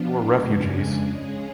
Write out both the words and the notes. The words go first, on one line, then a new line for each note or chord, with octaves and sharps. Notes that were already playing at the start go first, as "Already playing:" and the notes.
They were refugees.
Already playing: F3 B3 D4 F4
F2 C#3 G#3 D4 G#4
C#3 G#3 C#4 G#4